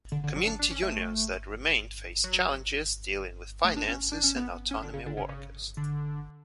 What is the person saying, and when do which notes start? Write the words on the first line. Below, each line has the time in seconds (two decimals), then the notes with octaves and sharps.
Community unions that remained faced challenges dealing with finances and autonomy workers.
0.12 D3
0.24 D3
0.36 F#3
0.47 D4
0.59 D4
0.70 C#4
0.82 A3
2.24 F#3
3.65 A3
3.76 D4
3.88 C#4
4.12 D4
4.24 C#4
4.36 B3
4.71 C#4
4.82 D3
4.93 C#3
5.06 D3
5.17 C#3
5.29 C#3
5.77 D3